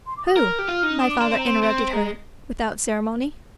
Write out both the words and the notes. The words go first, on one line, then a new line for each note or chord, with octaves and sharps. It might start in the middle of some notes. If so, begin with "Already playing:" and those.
"Who?" my father interrupted her without ceremony.
C6
D6
D#6
A#4 F6
G4
F4
D#4
D4 D#6
D6
D4 C6
C4 C6
A#5
C6
C4
G#3 A#5